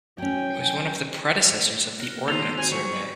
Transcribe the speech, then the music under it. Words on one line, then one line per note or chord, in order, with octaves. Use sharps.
It was one of the predecessors of the Ordnance Survey.
F#3 C#4 G5 G#5
A#3 F#6 G7
D#3 B3 D#4 A4 C5 F7
C4 F#4 C5 G#5
F#3 G3 C#6
B4 D5